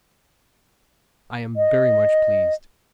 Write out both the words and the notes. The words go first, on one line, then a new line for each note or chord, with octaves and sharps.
I am very much pleased.
D#5